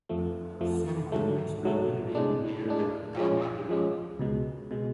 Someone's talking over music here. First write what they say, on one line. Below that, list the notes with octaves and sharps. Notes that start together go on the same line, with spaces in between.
Some homeless people live near the Tama River.
F2 F3 A3
F2 F3 A3
G#2 F#3 A3
G#2 F#3 A3
A2 G#3 D4
A2 G#3 D4
F3 G#3 C#4
F3 G#3 C#4
C#2 B2 G#3
B2 G#3